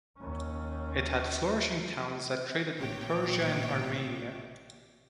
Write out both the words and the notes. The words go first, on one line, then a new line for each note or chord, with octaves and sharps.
It had flourishing towns that traded with Persia and Armenia.
D#2 C#4
A1 A#2 C#5 G5 D6